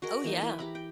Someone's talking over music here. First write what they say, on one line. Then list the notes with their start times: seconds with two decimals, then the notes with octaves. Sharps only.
Oh, yeah.
0.02 F#4 G#4 A#4 D#5
0.24 E3 A#3 D#4
0.41 E4 B4
0.59 G4 A#5 B5
0.75 G5